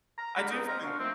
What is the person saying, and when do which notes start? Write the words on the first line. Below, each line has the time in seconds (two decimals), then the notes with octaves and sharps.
I do think
0.19 A#5
0.36 D3 G#3 A#3 A#5 B5
0.50 C#2 B3 D#4
0.67 C4 D#5 F5 A#5
0.83 A#2 D4 F#4 F5 C#6
0.99 F3 A3 C4